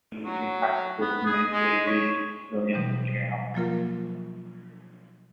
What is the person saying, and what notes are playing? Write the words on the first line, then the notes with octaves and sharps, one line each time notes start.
It would be impractical to manually read millions of emails.
F#3
B3
G#4
G#3
C#5
B2 E3 F#3 G3
F3 F#3 A#3 F4 A#4